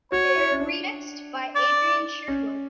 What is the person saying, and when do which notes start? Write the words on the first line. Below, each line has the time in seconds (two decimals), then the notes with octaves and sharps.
They are remixed by Adrian Sherwood.
0.12 F#4 C#5
0.36 E4
0.51 C#4
0.60 D4
1.55 D5
2.28 C#4